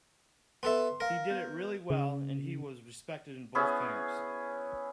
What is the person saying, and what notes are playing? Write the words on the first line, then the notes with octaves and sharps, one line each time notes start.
He did it really well and he was respected in both camps.
B3 A4 E5 C6
A#4 F5 A#6
B3 G6
C#3
B3 C#4 E4 G#4